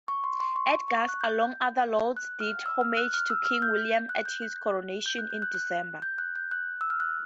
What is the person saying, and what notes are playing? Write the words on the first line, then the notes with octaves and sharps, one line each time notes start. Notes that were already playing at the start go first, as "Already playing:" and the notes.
Edgar, alongside other lords, did homage to King William at his coronation in December.
C#6
C6
C6
C#6
C#6
F#6
G6
F#6
F6
E6
F6
F#6
F6
E6
F6
G6
F#6
G6
F#6
G6
F#6
G6
F#6
F#6
G6
F#6
G6
F#6
E6
F6
F#6